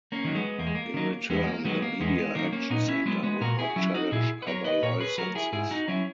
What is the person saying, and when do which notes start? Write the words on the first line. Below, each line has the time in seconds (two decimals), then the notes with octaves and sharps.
In return, the Media Action Center would not challenge other licenses.
0.12 A#3 C#4
0.24 D#3 F#3
0.35 G#3 B3
0.59 E2 A#3
0.67 G#3
0.75 A#3
0.94 D#3 F#3
1.30 E2 G#3 B3
1.47 A#3
1.65 D#3 F#3 G#3 B3
1.82 A#3
2.00 E2 G#3 B3
2.18 G#3
2.35 D#3 F#3 A#3
2.53 A#3 C#4
2.70 A#2 B3 D#4
2.88 C#4 E4
3.05 F#3 G#3 B3
3.23 G#3 B3
3.41 A#2 F#4 A#4
3.59 E4 G#4
3.70 F#4
3.76 F#3 C#4 E4
3.94 D#4 F#4
4.12 A#2 E4 G#4
4.42 B4
4.47 F#3 A#4 C#5
4.64 B4 D#5
4.83 A#2 A#4 C#5
5.00 G#4 B4
5.18 F#3 F#4 A#4
5.35 E4 G#4
5.53 G#2 E4 G#4
5.71 D#4 F#4
5.88 F#3 C#4 E4